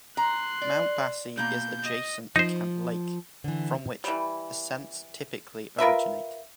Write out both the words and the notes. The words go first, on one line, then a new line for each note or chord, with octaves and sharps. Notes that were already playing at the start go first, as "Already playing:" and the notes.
Mount Bassie is adjacent to Camp Lake, from which ascents typically originate.
A#5 C6 F#6
D5
B2 A#3 G6
D#5
F3 D#4 C5
D3 E3
E3 G3
F4 A#4 B4 E5